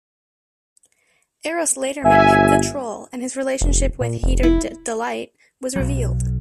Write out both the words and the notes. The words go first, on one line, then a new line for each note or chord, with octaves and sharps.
Eros later met Pip the Troll, and his relationship with Heater Delight was revealed.
G1 E5 G#5
F1
A#2
F1
E4
B1 F#3